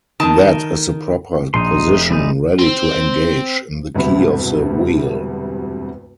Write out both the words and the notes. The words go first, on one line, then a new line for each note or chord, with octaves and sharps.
That is the proper position ready to engage in the key of the wheel.
D#3 A5
A#1 D#4 C6
F1
G3 G#3 D#4
C4
E1 D2 G2 C3 E5 B5